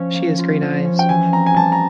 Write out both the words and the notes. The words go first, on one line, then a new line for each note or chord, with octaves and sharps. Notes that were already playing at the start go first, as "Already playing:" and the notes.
She has green eyes.
Already playing: F3 C#4
A#3
F4
F3
C#4
G5
E3 G#5
C4 A#5
G#5
G3 A5
A#5